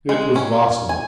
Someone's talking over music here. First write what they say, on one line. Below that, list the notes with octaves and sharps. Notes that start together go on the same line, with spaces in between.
It was Vasily.
G#3
C#4
G#5